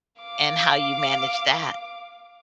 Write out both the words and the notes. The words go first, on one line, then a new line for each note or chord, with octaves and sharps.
and how you manage that,
F5 D6